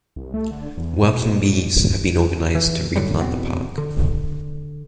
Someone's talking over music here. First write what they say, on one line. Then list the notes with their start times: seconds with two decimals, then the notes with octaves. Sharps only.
Working bees have been organised to replant the park.
0.16 C2
0.34 A3
0.51 D3
0.77 E2
1.03 B2
1.33 A#2
2.55 E3
2.96 G#2 D3 F#3 G3
3.20 E2 B2 B3 C4
3.78 D3